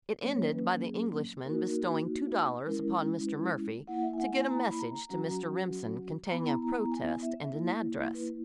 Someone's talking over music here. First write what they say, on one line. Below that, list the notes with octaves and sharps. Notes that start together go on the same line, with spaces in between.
It ended by the Englishman bestowing two dollars upon Mr. Murphy to get a message to Mr. Remsen containing a protest and an address.
F#3 A#3 C#4 C#5
B4
G#4
A#3 D#4 F#4 A#4
G#3 C#4 E4 A#4
B4
A#3 E4 F#5
E5
G#5
F#5
G#5
A#5
B5
A#5
A#5
F#3 C#4 F#4
A#5
B3 E4 B5
A#5
A#5
A#5
G#5
E5
A#3 E4
B4